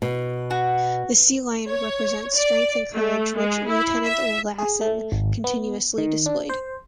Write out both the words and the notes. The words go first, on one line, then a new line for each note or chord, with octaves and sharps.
The sea lion represents strength and courage which Lieutenant Lassen continuously displayed.
B2
F#4
C#5
D5
A3
G#3
E4
E5
G#4
A3
G#1
B3
D#3
D4
C5